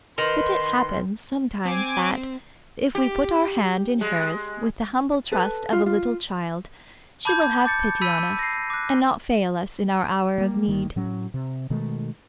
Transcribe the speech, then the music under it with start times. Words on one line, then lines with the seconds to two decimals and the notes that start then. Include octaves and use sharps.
But it happens sometimes that, if we put our hand in hers with the humble trust of a little child, she will have pity on us, and not fail us in our hour of need.
0.18 D#3 B4 C6
1.65 C4 G#5 D6
2.95 G4
4.01 G#3
5.32 A4 B4
5.73 F4
5.86 F4
7.25 A5 B5 D6 G6 G#6
7.65 D6 G6 A6 C#7
8.02 B5 E6 B6 D#7
8.39 A#6 C7
8.70 D6 F#6
10.38 G3 A#3
10.67 G1 D#3 A#3
10.96 A2 F#3 C#4
11.34 C3
11.70 B2 D#3 G#3 A3